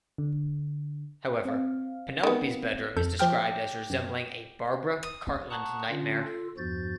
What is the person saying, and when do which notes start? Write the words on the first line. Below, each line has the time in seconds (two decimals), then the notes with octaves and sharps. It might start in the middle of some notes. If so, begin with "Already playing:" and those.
However, Penelope's bedroom is described as resembling a "Barbara Cartland nightmare".
0.18 D3
1.45 C4 F5
2.23 D#3 B3
2.96 F2 A4 G6
3.19 F3 G4 G5 F6
3.90 F#2
5.03 D#6
5.50 F#5 A5 A#5 C#6 D#6 F#6
5.89 D3 C#4 D4 F4
6.23 F4 A4
6.58 E2 G2 F3 F#4 G6 A6